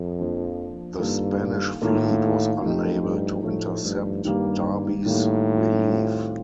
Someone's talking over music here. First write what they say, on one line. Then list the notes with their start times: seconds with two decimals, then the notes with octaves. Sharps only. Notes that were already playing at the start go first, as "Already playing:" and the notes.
The Spanish fleet was unable to intercept Darby's relief.
Already playing: F2
0.19 F3 A#3 D4
1.00 G2 D#3 A#3 F4 A4
1.82 A2 D#3 A#3 F4 A4
2.62 F2 F3 A3 D#4 G4
3.03 G2
3.43 A2 F3 A3 D#4 G4
3.85 G2
4.25 G2 D#3 G3 A#3
5.06 A2 D#3 G3 A#3
5.87 D#3 G3 C4 F4